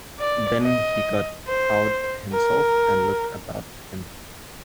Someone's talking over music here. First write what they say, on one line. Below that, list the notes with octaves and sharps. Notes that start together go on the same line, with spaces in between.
Then he got out himself and looked about him.
D5
D#5
C5
A#4